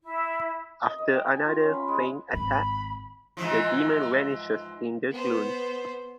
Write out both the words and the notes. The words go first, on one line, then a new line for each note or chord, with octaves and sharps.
After another feigned attack, the demon vanishes in the gloom.
E4
D#5
D#5
G5
G#5
F4
C#4
B5
G#3
G#1 B5
G#2 E3 F3
B3 C5